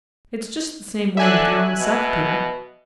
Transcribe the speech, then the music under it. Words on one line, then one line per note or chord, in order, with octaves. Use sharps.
It's just the same way with your own self, Peter.
D3 E5 G#5 F#6
B2